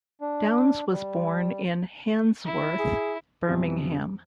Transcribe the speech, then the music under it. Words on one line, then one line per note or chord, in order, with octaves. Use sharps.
Downes was born in Handsworth, Birmingham.
D4
G3
E4
G#4
F2 B2 E3 F#3 G3